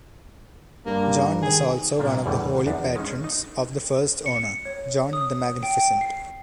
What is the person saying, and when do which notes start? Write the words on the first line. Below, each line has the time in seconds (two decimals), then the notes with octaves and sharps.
John was also one of the holy patrons of the first owner, John the Magnificent.
0.86 G2 A#3
1.42 D#3 G#4
1.99 A#2 G3 A#3 D4
2.26 E2 A2 D3 E3 G3
2.67 E2 D4 D#4
2.96 G#3 C#4 D#4
3.24 D#4
4.26 C#7
4.65 C#5
5.13 D#6
5.63 G5
6.01 C7